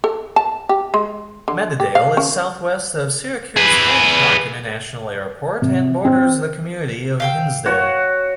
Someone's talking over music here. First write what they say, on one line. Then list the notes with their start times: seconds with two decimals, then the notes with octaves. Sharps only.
Mattydale is southwest of Syracuse Hancock International Airport and borders the community of Hinsdale.
0.04 A4
0.36 A5
0.69 G4
0.94 G#3
1.48 D3
1.80 G4
1.95 F5
2.17 C#4
3.57 G#4 B4
5.62 C3
6.05 C4
7.20 F5 G5 E6
7.66 F#4 C#5